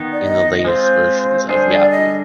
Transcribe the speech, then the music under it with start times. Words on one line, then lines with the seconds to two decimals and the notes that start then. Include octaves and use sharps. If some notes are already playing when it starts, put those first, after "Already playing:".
In the latest versions of Yahoo!
Already playing: D#3 B3 D#4
0.12 D5
0.23 D#5
0.65 G#3 C4 F4 C5
1.49 D3 G3 D4 G#4 C5
1.70 D5
1.91 D#5